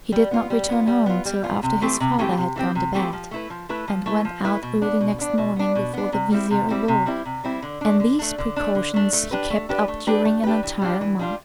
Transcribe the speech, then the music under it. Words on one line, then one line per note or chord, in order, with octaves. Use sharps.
He did not return home till after his father had gone to bed, and went out early next morning before the vizir awoke, and these precautions he kept up during an entire month.
G3
B3 F4
G3
B3 F4
G3
B3 F4
G3
B3 F4
C3
E3 A3 C4 G4
C3
E3 A3 C4 G4
C3
E3 A3 C4 G4
C3
E3 A3 C4 G4
F3
A3 E4 B4
F3
A3 E4 B4
F3
A3 E4 B4
F3
A3 E4 B4
B2
B3 D4
B2
B3 D4
B2
B3 D4
B2
B3 D4
C3
G3 C4 E4
C3
G3 C4 E4
C3
G3 C4 E4
C3
G3 C4 E4
D3
A3 D4
D3
A3 D4
D3
A3 D4
D3
A3 D4
A3
D4 G4 B4
A3
D4 G4 B4
A3
D4 G4 B4
A3
D4 G4 B4
E3
G3 D4 F4
E3
G3 D4 F4